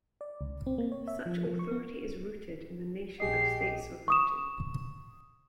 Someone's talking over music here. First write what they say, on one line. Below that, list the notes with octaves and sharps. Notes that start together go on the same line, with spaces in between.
Such authority is rooted in the notion of state sovereignty.
D5
C#2
C4
A#3
C#5
E5
F3
F3
C#6
B3
A#1 G4 G#4 D#5 C7
C#6 D#6 E7